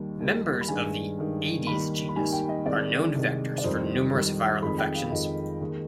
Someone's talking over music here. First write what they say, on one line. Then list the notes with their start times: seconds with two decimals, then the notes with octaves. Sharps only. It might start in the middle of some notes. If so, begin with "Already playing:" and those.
Members of the "Aedes" genus are known vectors for numerous viral infections.
Already playing: D#2 D#3 G3
0.20 D#2 D#3 G3
0.61 B5
0.68 G2 D#3 G#3 G#5
1.18 G2 D#3 G#3
1.67 D#2 D#3 G3 B5
2.09 B5
2.16 D#2 D#3 G3 G#5
2.32 G5
2.49 D#5
2.66 C2 C3 D#3 G#3 D5
3.15 C2 C3 D#3 G#3
3.58 D5
3.64 F2 D#3 G3 C5
4.13 F2 D#3 G3
4.62 F2 D#3 G#3 B5
4.78 G5
4.95 F5
5.12 F2 D#3 G#3 D#5
5.61 D#2 D#3 G#3